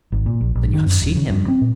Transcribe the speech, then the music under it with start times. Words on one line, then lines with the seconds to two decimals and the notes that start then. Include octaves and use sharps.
"Then you have seen him?"
0.12 G#1
0.26 A#2
0.41 A#1
0.55 A#1
0.74 D#3
0.86 F#2
1.01 D#1
1.16 C#3
1.30 G2
1.48 C4
1.61 A#2